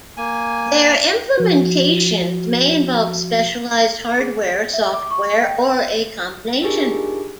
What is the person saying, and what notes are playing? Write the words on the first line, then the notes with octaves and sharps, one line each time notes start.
Their implementations may involve specialized hardware, software, or a combination.
A#3 G#5
F3 F#4
G#4
E5
D6
C#6
G5
D4 D#4 F4 G4 G#4 A#4